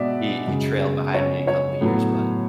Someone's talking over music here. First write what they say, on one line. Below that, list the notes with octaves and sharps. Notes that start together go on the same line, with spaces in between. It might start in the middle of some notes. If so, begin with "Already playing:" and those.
He he trailed behind me a couple years, but,
Already playing: B2 G#3 B3 D5 E5
F#2 C#3 G#3
C#5
C#5
A2 F#3 B3